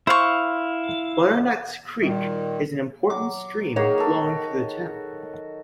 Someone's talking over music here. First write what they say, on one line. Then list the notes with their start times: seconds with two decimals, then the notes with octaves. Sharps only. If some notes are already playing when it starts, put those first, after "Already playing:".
Butternuts Creek is an important stream flowing through the town.
0.07 E4 C5 F5 C#6
2.02 A#2 D#3 G3 F#4
3.10 F#3 D6
3.76 D#3 A#3 F#4 G#4 C#5
3.98 F#4 A4